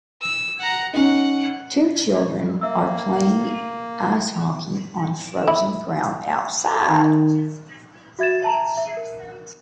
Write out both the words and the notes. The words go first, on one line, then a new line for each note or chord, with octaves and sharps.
Two children are playing ice hockey on frozen ground outside.
E6
F#5 A#5
C#4 D#4 F#5
A#3 E5 E6
E4
D#3
F#4 E5 G#6 A6 E7
E5 A5 A#5
E5
A#4